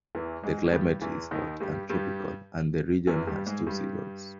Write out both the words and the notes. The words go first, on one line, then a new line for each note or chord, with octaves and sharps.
The climate is hot and tropical and the region has two seasons.
E2 E3
G#2 G#3
G#3
G2 G3
E2 E3
D#2 D#3
G2 G3
G2 G3
E2 E3
G2 G3
G#2 G#3
G2 G3